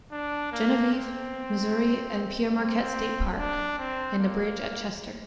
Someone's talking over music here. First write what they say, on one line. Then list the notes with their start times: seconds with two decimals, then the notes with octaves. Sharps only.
Genevieve, Missouri and Pere Marquette State Park, and a bridge at Chester.
0.12 D4
0.52 A#3
0.93 C4
2.56 C4
3.37 D4
3.79 C4
4.19 A#3